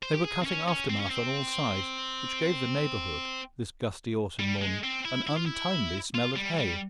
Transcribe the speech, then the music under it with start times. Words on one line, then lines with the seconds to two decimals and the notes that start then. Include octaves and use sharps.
They were cutting aftermath on all sides, which gave the neighbourhood, this gusty autumn morning, an untimely smell of hay.
0.03 C5
0.14 G4
0.24 G#4
0.41 C4
0.46 C#4
0.68 C#4
0.90 C4
1.00 C#4
1.10 C4
4.39 G3
4.62 G#3
4.84 C4
5.05 E4
5.27 E4
5.37 F4
5.46 E4
6.15 F4
6.36 G3
6.58 G3